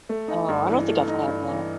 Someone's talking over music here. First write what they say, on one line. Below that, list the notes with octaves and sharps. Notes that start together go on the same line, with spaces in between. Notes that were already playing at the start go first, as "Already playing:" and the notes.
Oh, I don't think I've had that.
A3
D#4
G2
E3
A3
D#4
G2
E3